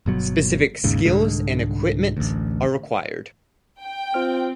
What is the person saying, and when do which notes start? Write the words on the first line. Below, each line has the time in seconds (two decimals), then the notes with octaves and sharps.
Specific skills and equipment are required.
0.06 G1 B2 F#3
0.84 G#1 D#2 G#2 C#3
1.05 C2 G#2 D3 G#3
2.17 A1 D2
3.83 G5
4.14 C4 F4 C5 F6